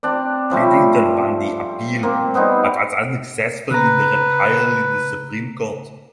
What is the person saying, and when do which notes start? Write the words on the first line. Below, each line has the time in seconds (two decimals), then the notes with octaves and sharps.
Piddington won the appeal but was unsuccessful in the retrial in the Supreme Court.
0.03 C4 D4 D5
0.50 C#3 F3 G3 A3
2.03 A#3 C4
2.34 G3 B3 C4 D#4
3.71 C#3 B4 A#5